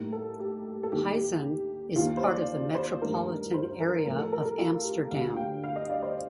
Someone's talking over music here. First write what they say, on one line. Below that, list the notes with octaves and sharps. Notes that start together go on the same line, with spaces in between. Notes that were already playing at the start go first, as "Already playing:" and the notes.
Huizen is part of the metropolitan area of Amsterdam.
Already playing: A2 G3 A#3 D#4 A#4
A4
G4
A4
D#2 D#3 A#3 D#4 G4
G4
D#2 D#3 A#3 F4
C5
D5
C5
G2 D#3 A3 D#4 A#4
C5
A#4
A2 F3 A3 A#4
A4
A#4
A4
F4
G4
D2 D3 G3 D4 F5
G5
F5
D#5
D5
C5